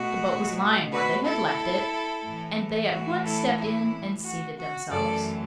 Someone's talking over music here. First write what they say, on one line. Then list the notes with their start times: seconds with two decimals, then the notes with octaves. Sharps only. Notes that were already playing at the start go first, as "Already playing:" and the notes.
The boat was lying where they had left it, and they at once stepped in and seated themselves.
Already playing: B2 A3 F#4
0.90 F#4 B4
1.24 E4 A4
2.24 A2 E3 A3
2.90 F#4
3.24 E4 A4
3.57 E4
4.24 F#4
4.57 F#4
4.90 F#2 E3 A3 A4 D5